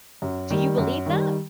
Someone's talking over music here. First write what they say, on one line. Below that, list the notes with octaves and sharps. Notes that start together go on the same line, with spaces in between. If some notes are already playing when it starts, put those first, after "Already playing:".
Do you believe that?
F#2
D#3 G3
F#2
D#3 G3